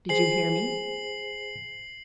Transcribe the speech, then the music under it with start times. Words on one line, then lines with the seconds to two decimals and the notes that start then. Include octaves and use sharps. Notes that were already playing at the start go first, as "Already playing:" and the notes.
"Did you hear me?"
0.09 G#4 C5 G#5 C7 F#7